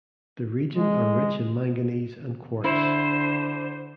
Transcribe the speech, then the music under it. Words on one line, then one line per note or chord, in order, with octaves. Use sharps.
The region are rich in manganese and quartz.
G#3
D3 E4 C5